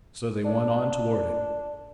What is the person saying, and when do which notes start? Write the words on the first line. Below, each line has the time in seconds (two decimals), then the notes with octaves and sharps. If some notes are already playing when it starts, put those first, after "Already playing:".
So they went on toward it.
0.45 D4